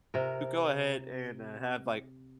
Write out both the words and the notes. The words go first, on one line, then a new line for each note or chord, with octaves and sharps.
You go ahead and, uh, have, like
C3 A#4